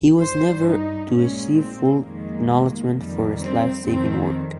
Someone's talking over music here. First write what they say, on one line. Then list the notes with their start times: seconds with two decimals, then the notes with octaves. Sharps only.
He was never to receive full acknowledgement for this life-saving work.
0.21 G2 G3 C5
0.66 D#4
1.11 A#2 G#3 C#4
1.57 C4
2.03 F2 D#3 G#3 A#3
2.94 F2 D#3 G3
3.40 C4
3.86 F2 D#3 G3 C4